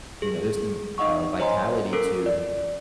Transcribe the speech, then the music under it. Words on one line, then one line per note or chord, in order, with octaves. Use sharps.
you know, there's some, uh, vitality to
G#4
D#4 D#5 F#5 C#6
C5 C#5 D#5 G#5 A#5 C6
C#4 A4 A#4 E6 D7
D5